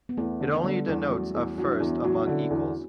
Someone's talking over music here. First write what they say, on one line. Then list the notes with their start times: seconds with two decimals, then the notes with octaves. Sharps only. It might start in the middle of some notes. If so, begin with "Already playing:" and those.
It only denotes a first among equals.
0.09 B3
0.17 E2 A3
0.40 D3
0.64 D3 G3 B3
0.88 E2
1.11 F#3 A3 C#4
1.34 E2
1.58 F#3 D4
1.65 E4
1.72 D4
1.79 E2 E4
1.87 B3 D4
2.04 F#3 F#4
2.13 E4
2.21 D4
2.27 D3 C#4 E4
2.50 E2